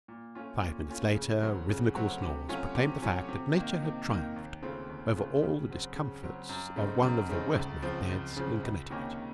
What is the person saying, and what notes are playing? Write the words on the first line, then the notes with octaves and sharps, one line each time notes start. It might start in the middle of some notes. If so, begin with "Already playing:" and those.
Five minutes later rhythmical snores proclaimed the fact that nature had triumphed over all the discomforts of one of the worst-made beds in Connecticut.
A#2
A3 C#4 F4
A#2
A3 C#4 F4
C#3
F#3 A3 C4 F#4
C#3
F#3 A3 C4 F#4
C3
F#3 A3 C#4 F4
C3
F#3 A3 C#4 F4
C3
D#3 A#3 D#4
C3
D#3 A#3 D#4
D#2
C#3 A3 C4 F4
D#2
C#3 A3 C4 F4
C#3
F#3 C4
C#3
F#3 C4
F#2
C#3 A3 C4 D#4
F#2
C#3 A3 C4 D#4
C#2
C#3 F3 C4
C#2
C#3 F3 C4
C#2
C3 D#3 A#3 C#4